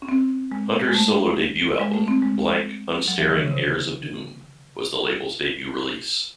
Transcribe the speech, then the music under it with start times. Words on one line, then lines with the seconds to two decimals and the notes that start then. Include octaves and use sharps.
Hunter's solo debut album "Blank Unstaring Heirs of Doom" was the label's debut release.
0.02 C#4
0.09 C4
0.51 G#3
0.89 G#3
0.95 A3
1.79 G#3
1.94 A3
2.08 C4
2.22 G#3
3.08 F#3
3.19 E3
3.30 D#3
3.41 C#3
3.51 C3